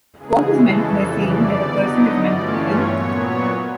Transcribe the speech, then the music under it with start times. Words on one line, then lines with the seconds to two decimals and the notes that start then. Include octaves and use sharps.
What was meant by saying that a person is mentally ill?
0.17 C#3 E3 G#3 G#4
0.50 A4
0.83 F2 C#3 E3 A4
1.17 D5
1.49 D3 F#3 B3 D#4
1.83 D#5
2.15 G2 E3 A3 C#4 F4 D5
2.48 C#5
2.81 A#2 F#3 B3 C#5
3.15 C#5